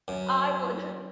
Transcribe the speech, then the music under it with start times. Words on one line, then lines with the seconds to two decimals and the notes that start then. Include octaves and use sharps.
I would
0.08 F#2